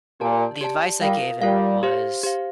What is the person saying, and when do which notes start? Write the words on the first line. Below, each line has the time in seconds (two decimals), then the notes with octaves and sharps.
the advice I gave him was,
0.20 A#2 G4 D5 A5
0.61 G4 D5 A5
1.01 G3 F4 A#4 F5
1.42 G3 F4 A#4 F5
1.83 G4 C5 F5
2.23 G4 C5 F5